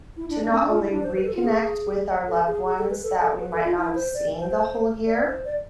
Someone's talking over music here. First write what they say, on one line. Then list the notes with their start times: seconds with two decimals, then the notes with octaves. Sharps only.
to not only reconnect with our loved ones that we might not have seen the whole year,
0.17 E4
0.29 D4
0.42 D4
0.51 C4
0.61 D4
0.70 F4
0.80 E4
0.91 D4
1.03 C5
1.16 B4
1.25 A4
1.35 F4
1.44 G#4
2.28 A4
2.47 G#4
2.65 G#4
2.78 A4
2.90 B4
3.03 A4
3.21 A4
3.40 B4
3.52 A4
3.64 F4
3.77 E4
3.95 C5
4.14 D5
4.39 C5
4.51 C5
5.07 D5
5.26 C5
5.45 D5